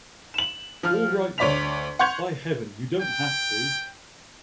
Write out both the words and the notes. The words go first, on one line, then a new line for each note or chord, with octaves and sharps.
All right, then; by Heaven, you don't have to!
E7 F#7
F3 F6
D2 C#5 D5 B6 F7
F#5 C6 C#6 G6 G#6 F7
G5